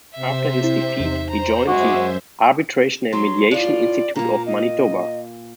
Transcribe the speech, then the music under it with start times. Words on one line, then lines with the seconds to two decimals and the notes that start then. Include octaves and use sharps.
After his defeat, he joined the "Arbitration and Mediation Institute of Manitoba".
0.15 C3 C5 E5
0.64 E4
1.00 E2 D#4
1.30 C5 A#5
1.67 F#2 G#3 F#4 C5 E5 D6
3.13 F#3 C6
3.51 A2 F4 D5
4.16 A#2 A#3 A#5
4.46 D#5